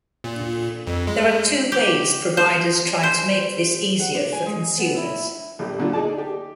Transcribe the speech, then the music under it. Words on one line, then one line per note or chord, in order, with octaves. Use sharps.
There are two ways providers try to make this easier for consumers.
A#2
F2
G#3
G4
C5
C5
F#5
D4
G#5
G#3
B3
E4
A#1 G4
A#2 D3 F#3 F4
D#4 G#4 D5 A5
G4